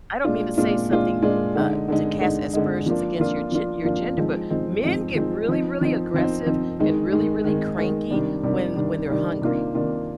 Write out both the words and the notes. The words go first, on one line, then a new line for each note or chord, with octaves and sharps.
I don't mean to say something, uh, to cast aspersions against your ge your gender, but men get really, really aggressive and really, really cranky when when they're hungry.
A#2 G#3 D4 F4
A#2 G#3 D4 F4
A#2 G#3 D4 F4
A#2 G#3 D4 F4
D3 G#3 D#4
D3 G#3 D#4
D3 G#3 D#4
D3 G#3 D#4
F3 A#3 D4 F4
F3 A#3 D4 F4
F3 A#3 D4 F4
F3 A#3 D4 F4
F3 G#3 C4 D#4
F3 G#3 C4 D#4
F3 G#3 C4 D#4
F3 G#3 C4 D#4
F3 C4 D#4
F3 C4 D#4
F3 C4 D#4
F3 C4 D#4
D#3 G#3 D#4
D#3 G#3 D#4
D#3 G#3 D#4
D#3 G#3 D#4
C3 D#3 G3 D4
C3 D#3 G3 D4
C3 D#3 G3 D4
C3 D#3 G3 D4
C3 D#3 A#3 D4 F4
C3 D#3 A#3 D4 F4